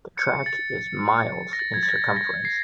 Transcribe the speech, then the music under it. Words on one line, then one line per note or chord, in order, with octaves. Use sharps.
The track is miles in circumference.
C#7
A6
A#6
A6
G#6
A6
A#6
A#6
A#6
C7